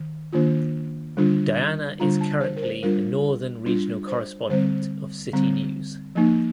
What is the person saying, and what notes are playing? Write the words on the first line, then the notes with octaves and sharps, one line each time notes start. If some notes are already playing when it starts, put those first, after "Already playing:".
Diana is currently the Northern Regional correspondent of Citi News.
Already playing: D#3
D#3 A#3 D4 F4
D3 G3 D4 F4
D3 G3 D4 F4 A#5
A5
C5
A#4
C5
G3 D4 F4 A#4
G3 D4 F4
C5
D3 G3 C4 C5
D3 G3 C4
F3 A#3 D#4